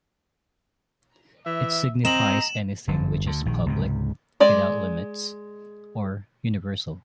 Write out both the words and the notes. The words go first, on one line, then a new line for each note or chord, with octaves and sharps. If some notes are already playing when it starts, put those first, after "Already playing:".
It signifies anything which is public, without limits, or universal.
E3 E5
C4 D#5 A#5 E7 F#7
G1 F#2 D3
D2 D3
A#1 D#3
C#2 G#2 C3
G#3 D5